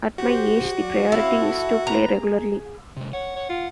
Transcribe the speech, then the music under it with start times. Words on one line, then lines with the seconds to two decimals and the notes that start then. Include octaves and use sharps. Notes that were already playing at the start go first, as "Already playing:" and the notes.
At my age, the priority is to play regularly.
0.18 F#4 G4 C5
0.76 F#3 D5
1.12 C4 E4 F5
1.43 A4
1.87 A#3 B4 A#5
2.19 G#4
2.97 C3 G#3
3.13 C#5 F#5
3.35 C#5
3.49 F4